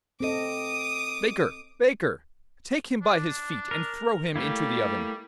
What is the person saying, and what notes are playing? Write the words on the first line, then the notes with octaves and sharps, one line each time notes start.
'Baker, baker, take him by his feet, and throw him into the oven!'
C4 A4 D#5 D6 D#6
D4
A#4
G3 A3 A#3 E4